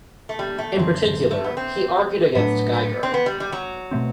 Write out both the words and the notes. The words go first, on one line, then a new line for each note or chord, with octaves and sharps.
In particular, he argued against Geiger.
A3
G3
A3
F#2 D3 F#3 C4
A3
B3
C4
A2 F#3 A3 B3 D4
C4
B3
G3
G3
F#3
B2 A3 C4